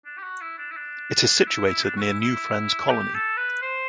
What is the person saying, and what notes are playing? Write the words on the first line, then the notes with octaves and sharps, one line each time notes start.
It is situated near New Friends Colony.
D4
G4
F#4
E4
D4
E4
D4
E4
E4
D4
F#4
E4
E4
G4
A4
B4
C5